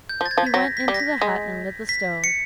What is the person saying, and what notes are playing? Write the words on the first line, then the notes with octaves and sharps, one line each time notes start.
He went into the hut and lit the stove.
G6
F3
A6
G#6
F3
B6
F#3 A#6
B6
G3
A#6
B6
G#3
B6
C#7